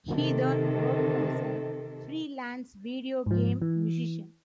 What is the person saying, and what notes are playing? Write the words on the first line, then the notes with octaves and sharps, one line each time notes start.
He then worked as a freelance video game musician.
C3 D#3 A4
G#2 F3
E3